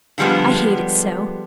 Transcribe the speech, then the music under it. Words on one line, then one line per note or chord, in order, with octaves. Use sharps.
I hate it so.
D3 F3 G3 G#3 B3